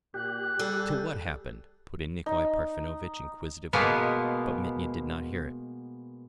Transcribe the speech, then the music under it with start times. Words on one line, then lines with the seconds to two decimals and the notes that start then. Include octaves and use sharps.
"Till what happened?" put in Nikolay Parfenovitch inquisitively, but Mitya did not hear it.
0.14 A#2 G4 F#6
0.59 G3 G#4 A4
2.26 D#4
3.73 B2 G#3 A#3 B3